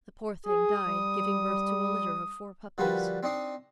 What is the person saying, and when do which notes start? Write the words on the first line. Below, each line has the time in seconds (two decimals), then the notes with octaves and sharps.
The poor thing died giving birth to a litter of four puppies.
0.47 G#4 D#6
0.84 G3
2.78 D3 F3 G3 F#4 A#4 B4
3.23 C4 D4 D#4 D#5 C6